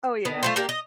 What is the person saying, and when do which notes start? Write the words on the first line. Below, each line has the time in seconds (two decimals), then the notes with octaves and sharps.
Oh, yeah.
0.25 D3 B3
0.43 A3 F4 C5
0.56 A#3 D4 G4 A#4
0.69 D#5